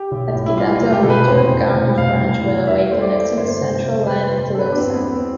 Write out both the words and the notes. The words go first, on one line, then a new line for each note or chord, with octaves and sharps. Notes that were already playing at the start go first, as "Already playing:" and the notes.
At Kidatu, a metre gauge branch railway connects to the Central Line at Kilosa.
Already playing: G4
B1
A2
E4
G3 F4
F4
F1
G4
B2 A4
B4
E2 C5
F1
B2
F1 F5
E2
E2
E2 E5
A3 C5
D5
A3
G1 C5
C3
F2
C3 B4
C5
G1
G1 A4
B4
D4
E2 C4
B3
E2
C4